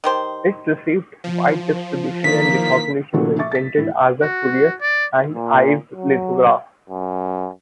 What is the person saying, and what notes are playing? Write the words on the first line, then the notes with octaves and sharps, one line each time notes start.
It received wide distribution and recognition when printed as a Currier and Ives lithograph.
D#3 G4 C5
F3
D#3 E3 A#3 B6
A#2 C#3 F3 A3 F#4 A4
E5 C#6 D6 A6
A6 B6
A2 E3 E4
F#4
D5
A#2
F#3
F#2